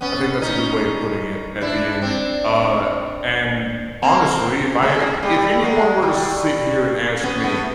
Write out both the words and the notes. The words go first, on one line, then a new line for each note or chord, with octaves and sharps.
I think that's a good way of putting it at the end, uh, and honestly, if I i if anyone were to sit here and ask me,
B3 C#4
C#4 D#4
D4 E4
C4 D4
A#3 C4
G#3 A#3
G3 A3
F#3 G#3
G3 A3
B3 C#4
A3 B3